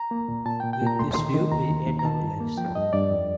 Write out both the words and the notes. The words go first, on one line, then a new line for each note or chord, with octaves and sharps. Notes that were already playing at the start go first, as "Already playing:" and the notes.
With this view we end our lives.
Already playing: A#5
A#3
A#2
A#2 A5
A#2 G5
G5
A#2 A#5
A3 C6
D#3 C6
D#3
D#2 A#5
D#2
D#2
A#5
D#3 A5
G2
A#3
F3 G5
G2 D#5
G2 D5
F2